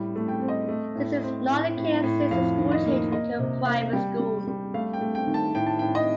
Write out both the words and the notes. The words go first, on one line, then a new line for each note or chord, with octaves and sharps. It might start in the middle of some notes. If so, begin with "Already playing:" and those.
This is not the case since the school changed into a private school.
Already playing: A2 G3
A3
G5
C4
D#5
A3
A2
C4
A2
A2
A2
F2 F5
D#3
D#5
A#3
A#3 D#5
C3
A#3 F5
G3 G5
G3
G3
A3 F5
G5
A3
G5
D#3
A5
A2 G5
A5
A2 G5
D#5